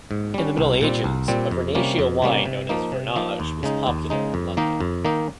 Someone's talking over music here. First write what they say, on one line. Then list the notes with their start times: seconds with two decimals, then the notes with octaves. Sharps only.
In the Middle Ages, a Vernaccia wine known as "Vernage" was popular in London.
0.11 G#2
0.34 G3 C#4
0.57 C2
0.81 A#2 G3 C4
1.04 C2
1.28 A#2 G3 C4
1.51 F2
1.75 C3 G3 A#3 C#4
1.99 F2
2.22 C3 G3 A#3 C#4
2.46 C3
2.69 F3 A#3 D#4
2.92 C3
3.16 F3 A#3 D#4
3.40 D#2
3.63 C#3 G#3 D#4
3.87 D#2
4.10 C#3 G#3 D#4
4.34 F2
4.57 D#3 A#3 D#4
4.81 F2
5.05 D#3 A#3 D#4